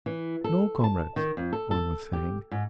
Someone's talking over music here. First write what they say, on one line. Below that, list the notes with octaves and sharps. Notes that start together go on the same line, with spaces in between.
"No, comrades," one was saying.
E3
A4
A5
D#3
F2
A4
A4
G4
G#2